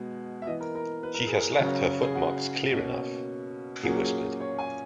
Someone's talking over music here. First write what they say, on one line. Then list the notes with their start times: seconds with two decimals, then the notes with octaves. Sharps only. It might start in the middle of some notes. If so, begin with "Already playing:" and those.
"She has left her footmarks clear enough," he whispered.
Already playing: B2 G#3 B3
0.42 E5
0.47 E3 B3 D#5
0.61 A#4
0.75 A#4
1.03 B4
1.14 A#4
1.27 G#4
1.39 A#4
1.59 C#3 F#3 C#4 A#4
2.03 G#4
2.15 F#4
2.71 B2 A#3 C#4
3.83 A#2 F#3 A#3 C#4 G#4
4.03 G#4
4.40 C#5
4.58 G#5